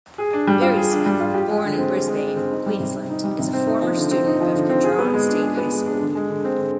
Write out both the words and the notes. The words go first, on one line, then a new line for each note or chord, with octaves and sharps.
Barry-Smith, born in Brisbane, Queensland, is a former student of Kedron State High School.
G#4
D4
G3
F4
G#4
D4
G3
F4
G4
G#3
D3
C4
G4
G#3
D3
C4
D#4
G3
C3
C4
D#4
G3
C3
C4
D#4
F3
D3
C4
D#4
F3
D3
C4
G#4
B3
G#3
D4
G#4
B3
G#3
D4
D3
G#3
D3
C4
D3